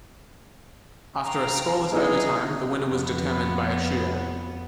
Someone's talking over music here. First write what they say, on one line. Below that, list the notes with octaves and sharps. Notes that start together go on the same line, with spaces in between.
After a scoreless overtime, the winner was determined by a shootout.
F5 G5 A#5
F#3 B3 D#4 E4 G#4 A#5 D6
F2 B3